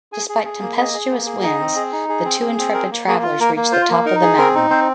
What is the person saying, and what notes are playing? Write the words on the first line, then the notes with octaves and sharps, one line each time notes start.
Despite tempestuous winds, the two intrepid travelers reach the top of the mountain.
G#4 G#5
G#4
G#4
A#3
G#4 D#5
G#4
A#3
G#4
D#4 D#5
C4
G#4
D#4
G#4
C4
G#4
C4
G#4 A#4
A#3
A#3 G#4
F4
A#3 A#4
A#3
F4 C5
A#3
D#4 A#4
G#4
C4 A#4
D#4
C4 C5